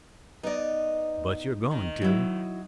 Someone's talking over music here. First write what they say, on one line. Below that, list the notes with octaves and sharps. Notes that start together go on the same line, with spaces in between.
"But you're going to?"
B3 D#4 D5
D#3
F#3 E4